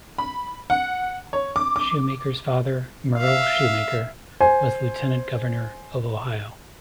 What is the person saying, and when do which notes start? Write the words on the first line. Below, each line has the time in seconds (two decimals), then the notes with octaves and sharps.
Shoemaker's father, Myrl Shoemaker, was Lieutenant Governor of Ohio.
0.18 B5
0.70 F#5
1.33 C#5
1.56 D6
1.76 D6
3.18 E5 F5
4.40 C5 G#5